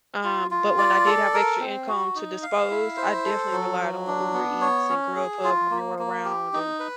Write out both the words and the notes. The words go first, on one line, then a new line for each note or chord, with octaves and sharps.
um, but when I did have extra income to dispose, I definitely relied on Uber Eats and Grubhub when they were around and
F4
F4
D5
A4
A#4
C4
F#4
D#4
F5
E4
C5
A4
F#3
F#3
D4
B3
C#5
C#4
G#4
F4
A#3
A#3
G4
D#4
B4